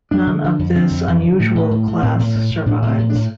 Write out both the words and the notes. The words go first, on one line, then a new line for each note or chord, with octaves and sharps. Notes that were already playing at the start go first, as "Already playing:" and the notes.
None of this unusual class survives.
F2 D4
D3
D3
F2
D3 C4
F2
F2
D3
A2
A2
A2
A2
A2 C4
A2
A2
A2
A2 D4
A2
C4
A2
D4
A2